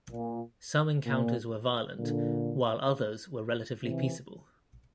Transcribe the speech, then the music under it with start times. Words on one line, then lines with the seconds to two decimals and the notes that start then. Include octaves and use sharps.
Some encounters were violent, while others were relatively peaceable.
0.12 A#2
1.05 A#2
1.99 A#2 D3
3.83 C3 E3